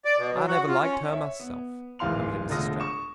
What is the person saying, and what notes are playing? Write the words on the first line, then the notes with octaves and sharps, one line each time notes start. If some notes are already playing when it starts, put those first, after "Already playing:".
"I never liked her myself," admitted Mrs. Stapp.
D5
B2
F#3
F#4
F4
C#4
C#5 E5
B3
D1 G#1 E3 F5 C6 F7
E1 D3 A3 F4 D#6 A#6
C#6 E7